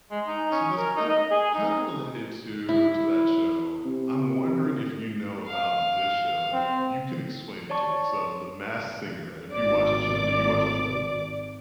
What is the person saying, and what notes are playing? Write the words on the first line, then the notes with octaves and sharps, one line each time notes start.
So, this kinda kinda related to to that show, I'm wondering if you know about this show, and if you can explain it to me, so, The Masked Singer, have you watched that show do you watch that show?
G#3
D#4
C#4
A#4
D#4
D#5
G#4
D#4
E4
C3
F5
C4
C#5 D5 A5 C#6
G#1 D5 D6